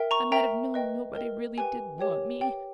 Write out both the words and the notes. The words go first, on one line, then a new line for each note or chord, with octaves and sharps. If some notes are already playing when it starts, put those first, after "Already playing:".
I might have known nobody really did want me.
Already playing: A#4 E5 G5
A#5 C#6
A#4 E5 G5 A#5
B4 D#5 G5
A#4 D#5 G5
G4 B4 G5 G#5
G4 A#4 C#5 G5
G4 B4 G5